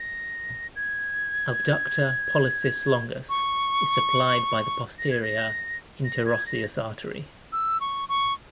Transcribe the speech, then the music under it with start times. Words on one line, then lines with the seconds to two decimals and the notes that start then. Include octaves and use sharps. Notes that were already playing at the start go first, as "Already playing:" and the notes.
Abductor pollicis longus is supplied by the posterior interosseous artery.
Already playing: A#6
0.76 G#6
3.29 C#6
4.98 A#6
5.11 G#6
5.22 A#6
6.04 A#6
6.25 G#6
6.47 A#6
7.52 E6
7.81 C#6
8.09 C#6